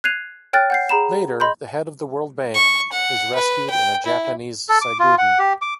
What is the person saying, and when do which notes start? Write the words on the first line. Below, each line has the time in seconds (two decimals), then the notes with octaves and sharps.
Later, the head of the World Bank is rescued in a Japanese saiguden.
0.04 F#6 G#6 C7 D#7 F7
0.53 C#5 G5 F6 F#6 A6
0.70 F#5 G6 C7
0.89 G#4 A#5 B5 E7
1.40 D#5 B5 C6 G6
2.55 C#6
2.93 F#5
3.36 B4
3.70 G5
4.06 E4
4.69 A4
4.82 D6
5.00 F4
5.18 F#5
5.39 G4
5.62 D6